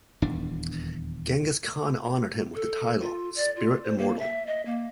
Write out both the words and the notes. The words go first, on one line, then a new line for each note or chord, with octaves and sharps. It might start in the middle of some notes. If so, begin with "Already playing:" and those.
Genghis Khan honoured him with the title Spirit Immortal.
D#1 E2 D4
A4
F4
D5
F4
C5
A#3
E5
D#5
A#3